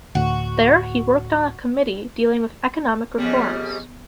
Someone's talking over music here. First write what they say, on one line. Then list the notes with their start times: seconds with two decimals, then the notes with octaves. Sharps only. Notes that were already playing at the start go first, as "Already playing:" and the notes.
There he worked on a committee dealing with economic reforms.
0.15 D2 A2 F#4
3.18 F2 C#3 G3 B3